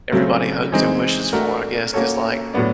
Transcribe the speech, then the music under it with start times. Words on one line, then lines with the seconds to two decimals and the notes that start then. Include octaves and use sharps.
everybody hopes and wishes for, I guess, 'cause, like
0.12 C#3 F#3 A3 C4
0.72 E3 G#3 C4 D#4
1.33 A3 D4 F#4 A#4
1.93 A#3 C#4 F#4 A4 C#5
2.54 A2 F#3 B3 D4